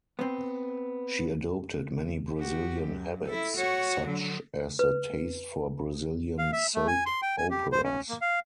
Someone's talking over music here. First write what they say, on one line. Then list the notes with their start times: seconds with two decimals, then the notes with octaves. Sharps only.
She adopted many Brazilian habits, such as the taste for Brazilian soap operas.
0.19 B3 C4
2.38 F#4 G4
2.84 F#2
3.26 E4 A4
3.57 F#4 C#5
4.07 D3 F#3
4.79 B4
6.38 F5
6.53 E5
6.75 A3
6.87 G#5
7.06 C6
7.22 G5
7.38 G#5
7.51 G4
7.72 C5
7.84 C#4
8.09 A#3
8.21 F5